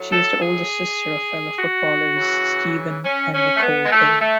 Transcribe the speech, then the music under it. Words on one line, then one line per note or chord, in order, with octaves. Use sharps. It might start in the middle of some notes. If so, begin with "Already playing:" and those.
She is the older sister of fellow footballers Stephen and Nicole Payne.
Already playing: A2 F#3
A4
G#4
F#4
C#3 E3
C#4
C#4
A3
B3
G#3
A3
A3